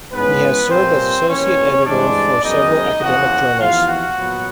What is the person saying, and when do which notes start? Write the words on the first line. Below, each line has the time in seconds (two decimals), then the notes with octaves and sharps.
He has served as associate editor for several academic journals.
0.12 G#2 E3 G#3 B3 C#4 B4
0.70 A#2 G3 A#3 C4 C#4 C5
1.28 E2 B2 G3 A#3 C#4 C#5
1.85 G2 E3 G#3 C4 D4 D5
2.43 F#2 D#3 G#3 B3 D#4 D#5
3.01 E2 C#3 F3 A#3 C#4 F#4 F#5
3.58 E2 C3 F3 F4 F5
3.87 F#4 F#5
4.16 A#2 F#3 B3